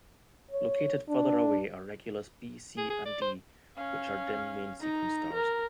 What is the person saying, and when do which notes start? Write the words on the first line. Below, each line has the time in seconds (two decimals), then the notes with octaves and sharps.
Located farther away are Regulus B, C, and D, which are dim main-sequence stars.
0.51 C#5
1.09 D4
2.78 G#4
2.90 G#4
3.05 D5
3.22 C5
3.76 C#4 F5
4.81 D#4 A#5
5.33 A#4